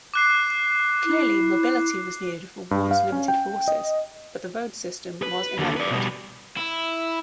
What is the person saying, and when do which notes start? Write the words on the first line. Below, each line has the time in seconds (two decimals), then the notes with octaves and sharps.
Clearly, mobility was needed for Ward's limited forces, but the road system was inadequate.
0.14 D6 F#6 C7
1.05 E4
2.71 G2
2.91 F5
3.12 C#4
3.28 G5
3.68 D#5
5.22 B4
5.58 D#2 D3
5.77 B4 D5
5.90 B2 G3
6.57 E4